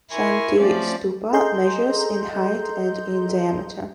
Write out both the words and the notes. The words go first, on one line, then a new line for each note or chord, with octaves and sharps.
Shanti Stupa measures in height and in diameter.
E4 A#4 G#5 C6 C#6
F3 A3 C4 C#4 D5
G#4 A4 D#5 A#5 C6 G6